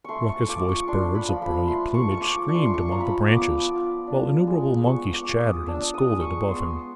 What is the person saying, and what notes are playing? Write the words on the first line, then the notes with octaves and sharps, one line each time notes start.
Raucous-voiced birds of brilliant plumage screamed among the branches while innumerable monkeys chattered and scolded above him.
A3 C6 C#6
C#6
F4 D6
C#6
D4 C6
B5
F3
B5
A3 C6
C#6
F4 C#6
D6
D4 C#6
C6
C#6
C#6
F3 A#5
B5
B3 D6
F4
D4
G#3
B3 C#6
D6
F4
D#6
D4 E6
D#6
G#3
C#6
B3 C6